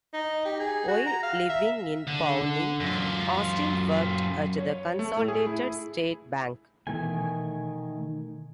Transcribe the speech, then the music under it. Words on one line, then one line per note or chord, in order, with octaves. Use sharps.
While living in Pawnee, Austin worked at the Consolidated State Bank.
D#4
G4
G#4
F#4
A#5
F5
E5
D3
F#2 F4
C#5
A3
A2
G#4
E4
B2 D#3 E3 A3 G#5